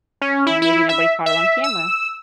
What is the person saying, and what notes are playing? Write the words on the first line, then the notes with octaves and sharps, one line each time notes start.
Maybe nobody caught it on camera.
C#4
E4
E4
E5
E5
E6